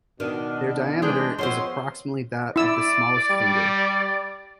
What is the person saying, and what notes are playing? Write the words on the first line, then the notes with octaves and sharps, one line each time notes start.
Their diameter is approximately that of the smallest finger.
B2 D#3 D4
E3 G#3 D4 G#4 G5
F3 B3 C4 C5 C#5 C6
E4 D5 E6
G3